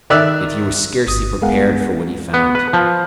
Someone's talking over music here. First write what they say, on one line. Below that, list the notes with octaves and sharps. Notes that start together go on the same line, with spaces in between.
Yet he was scarcely prepared for what he found.
D#3 D5 E5 E6 F#6
G1 D#6
G#3 B3 G#4 A#4 F5 F#5
B3
B4
F3